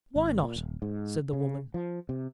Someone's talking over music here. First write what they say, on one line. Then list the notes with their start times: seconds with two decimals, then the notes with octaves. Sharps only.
"Why not?" said the woman.
0.16 G#1
0.43 A#2
0.56 D#1
0.82 G#2
1.33 C#3
1.74 F3
2.09 C3